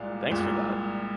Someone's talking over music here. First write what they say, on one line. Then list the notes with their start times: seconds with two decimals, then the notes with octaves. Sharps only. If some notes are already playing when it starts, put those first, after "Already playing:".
Thanks for that!
Already playing: C2 A#2 G#3 D5 F5
0.30 C2 A#2 G#3